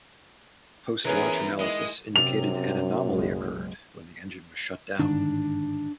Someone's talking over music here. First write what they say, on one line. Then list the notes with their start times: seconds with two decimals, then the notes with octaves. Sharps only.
Post-launch analysis indicated an anomaly occurred when the engine was shut down.
1.05 F#2 E3 B3 C#4 G#4 A#4
1.59 D#3 G#3 E4 D#5
2.16 F#2 C3 F7
3.09 F#1 B1 G#3
4.99 G1 G#2 D#3 D4